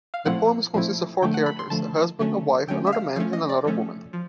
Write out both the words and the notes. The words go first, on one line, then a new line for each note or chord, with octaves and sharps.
The poems consist of four characters, a husband, wife, another man and another woman.
F5
A#2 F3 A3 C4 E4 F#5
A#2 F3 A3 C4 E4
D3 F3 A3 G5
F#5
B5
C6
D3 F3 A3 A5
D3 F#3 A3 C#4
D3 F#3 A3 C#4 G5
E5
F5
F3 A3 C#4 F5
D#5
D5
F3 A3 C#4
F3